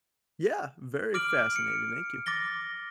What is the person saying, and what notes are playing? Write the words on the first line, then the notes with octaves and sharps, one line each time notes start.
Yeah, very fascinating. Thank you.
D6 F6 D7 F#7
C#7
D6 A6 A#6 G7